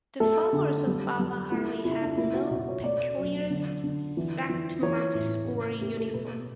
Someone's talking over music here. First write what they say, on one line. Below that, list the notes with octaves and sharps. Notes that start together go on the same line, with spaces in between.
The followers of Bala Hari have no peculiar sect marks or uniform.
A3 A4
D3
G3
G3
A3 E4
C#3 E4
D4
A3 E4
F#4
B2 F#4
C#5
A3 D5
F#3
D3
D3
E3
E3
E3 C#5
A2
C#3 B4
A3 G4
A4
B2 B4